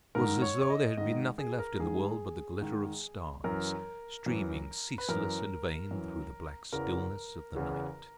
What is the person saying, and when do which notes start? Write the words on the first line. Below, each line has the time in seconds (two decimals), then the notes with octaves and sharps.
It was as though there had been nothing left in the world but the glitter of stars streaming, ceaseless and vain, through the black stillness of the night.
0.15 G#2 D#3 A#4
0.42 C#5
0.61 C#5
0.70 D#5
0.97 G#2 D#3 D#5
1.38 G#4
1.59 A#4
1.79 G#2 D#3 G#4
2.61 G#2 D#3
3.44 F#2 E3 A#4
4.26 F#2 E3
4.98 B4
5.09 F#2 E3 A#4
5.91 F#2 E3
6.73 E2 C#3 E3 A#4
7.55 E2 C#3 E3